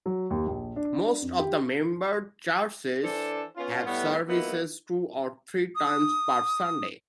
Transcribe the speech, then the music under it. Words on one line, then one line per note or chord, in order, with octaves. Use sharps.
Most of the member churches have services two or three times per Sunday.
F#3
D#2
A#1
D4
F2
G4
E3 D4 A4 C5 D5
B3 C#4 F4
A2 G3 A3 B3
F#3 A#3 B3 D#4 E4
D#6